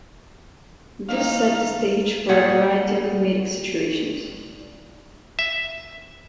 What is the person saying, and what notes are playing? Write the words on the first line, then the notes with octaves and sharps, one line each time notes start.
This set the stage for a variety of comedic situations.
D#2 A#3 D#4 E4 F5
A#2 G3 G#4 F#5
E5